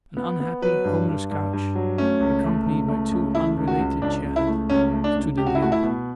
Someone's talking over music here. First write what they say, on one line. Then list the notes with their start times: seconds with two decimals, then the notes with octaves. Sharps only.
An unhappy, homeless couch, accompanied by two unrelated chairs, stood in the open.
0.17 B3
0.40 B3
0.62 F#3 B4
0.84 G2
1.08 G2
1.31 G2
1.53 G2
1.75 F#3
1.98 A3 C#4
2.20 C#2
2.44 A3
2.66 C#2
2.88 A3
3.12 C#2
3.34 A3 E4
3.57 C#2
3.68 F#4
3.79 C#2
4.02 C#2 D4
4.24 C#2
4.36 E4
4.47 A3
4.70 C#2 C#4
4.92 A3
5.04 D4
5.15 C#2
5.38 C#2 G4
5.47 F#4
5.55 E4
5.61 A3 F#4
5.72 E4
5.83 B2